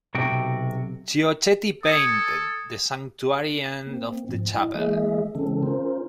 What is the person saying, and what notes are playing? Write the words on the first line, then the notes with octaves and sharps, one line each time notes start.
Chiocchetti painted the sanctuary end of the chapel.
B1 C3 F#4 G5
A4 D#6 G#6 C#7
A#3 C4
G#2 F3
E4 D#5
E3 G#3 A#3 G#4 D#5 E5
C#3 E3 G#3 C4 C#4 A4
C#4 F4 A#4 C5